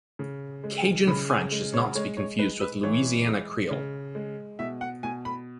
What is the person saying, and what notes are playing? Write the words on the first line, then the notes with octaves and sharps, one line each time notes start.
Cajun French is not to be confused with Louisiana Creole.
C#3
G#3
C#3 B5
G#5
G#3
C#5
G#3 C#5
C#5
G#3 B4
B4
E3 C#5
G#3
C#3
G#3
B2 E5
F#5
B2 G#5
B5